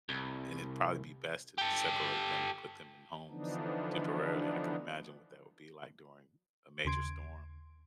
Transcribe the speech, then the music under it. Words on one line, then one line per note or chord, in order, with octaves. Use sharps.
and it'd probably be best to just separate them, and put them in homes temporarily, I can imagine what that would be like during a major storm.
C2
G4 A4
D3 E3 F3 B3 D4 D#4
D#2 C#3 C6 G#6 D7